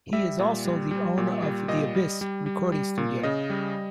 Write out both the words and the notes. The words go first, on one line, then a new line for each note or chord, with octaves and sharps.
He is also the owner of "The Abyss" recording studio.
G3 E5
A#2
G3
G3
A#2
G3
A#2 D#5
G3
G3
G3
G3
A#2
C#3 D#5
G3